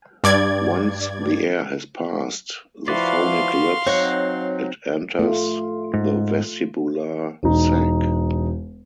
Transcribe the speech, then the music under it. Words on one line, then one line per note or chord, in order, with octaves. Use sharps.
Once the air has passed the phonic lips it enters the vestibular sac.
G2 D5 G#6
F3 E4 F#4 B4 D5 F5 C6
F#3 C4 D#4 C#5 F#5
A3 F4
G#2
E1 D#4